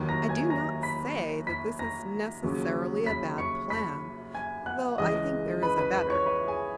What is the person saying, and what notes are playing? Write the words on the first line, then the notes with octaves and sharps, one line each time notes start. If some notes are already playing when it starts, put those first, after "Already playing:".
I do not say that this is necessarily a bad plan, though I think there is a better.
Already playing: D#2 D#3 F#3
A#5 A#6
G#5 G#6
A#5 A#6
B5 B6
B5 B6
A#5 A#6
D#2 C#3 F#3
B5 B6
C#6 C#7
B5 B6
G#5 G#6
F#5 F#6
C#2 C#3 E3 G#3 D#5 D#6
B4 B5
B4 B5
B4 B5
C#5 C#6
B4 B5
G#4 G#5